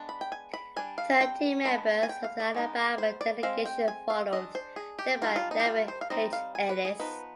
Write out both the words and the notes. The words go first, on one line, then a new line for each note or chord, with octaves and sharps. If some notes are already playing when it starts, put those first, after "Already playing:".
Thirteen members of the Alabama delegation followed, led by Leven H. Ellis.
Already playing: G#3 B3 D4
B5
G5
G#5
B5
G3 D4 G#5
F5
G5
G#3 B3 D4 B5
G#5
G5
F5
D5
G#3 B3 D#4
C5
D5
G#3 C4 F5
G5
G#5
F5
G#3 D4 D#5
C5
G#4
G4
D#3 G3 D4 F4
F4
D#4
G4
F4
C5
F5
G3 C4 D#4 D#5
F5
G#5
B4
G#4
F3 B3 D#4 B4